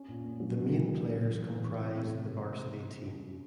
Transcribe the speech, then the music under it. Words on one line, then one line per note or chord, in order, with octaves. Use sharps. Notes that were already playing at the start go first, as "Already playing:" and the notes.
The main players comprise the varsity team.
Already playing: C#4
A#2
A#3
F#3
D4
C#3
A#3
F#3
D4
E3
B3
G#3
C4
C3